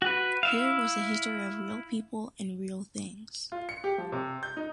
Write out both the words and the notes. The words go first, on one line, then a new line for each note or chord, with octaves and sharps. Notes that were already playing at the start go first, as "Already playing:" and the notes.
Here was a history of real people and real things.
F#4 B4
E4 E5 F5
F4
C#7
G4
F3
C3
G6
D#4